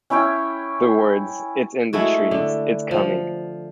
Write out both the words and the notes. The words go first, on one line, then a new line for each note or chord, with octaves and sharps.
The words it's in the trees, it's coming!
C#4 E4 C#5 G5
G#3 A3 E4 F#4
D3
F3